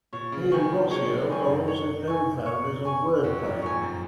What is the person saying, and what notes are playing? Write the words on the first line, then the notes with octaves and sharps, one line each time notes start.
He and Rossio are also co-founders of Wordplay.
A#2 C#5
C#3
D#3 G#5 C#6
F3
G#3 C#5
F#3
D#3 G#5 C#6
F#2
C#5
G#5 C#6
C#5
G#5 C#6
F2 F#4
G#2
A#2 C#5 G#5
F#2